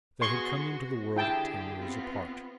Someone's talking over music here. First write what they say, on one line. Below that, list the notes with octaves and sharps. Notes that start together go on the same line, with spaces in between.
They had come into the world ten years apart.
B3 F#4 G#4 C6 C#6
F#4
D3 E4 G4 G#4 G5 A5
B3 C4 F4